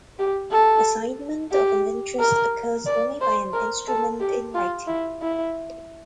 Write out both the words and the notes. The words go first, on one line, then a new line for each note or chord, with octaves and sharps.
Assignment of an interest occurs only by an "instrument in writing".
G4
A4
G4
A#4
D5
C5
A#4
A4
G4
F4
E4
E4